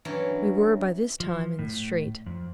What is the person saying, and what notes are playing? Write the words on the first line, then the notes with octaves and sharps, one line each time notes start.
We were by this time in the street.
G2 E3 F#3 C#4 C#5
F3
A2
F2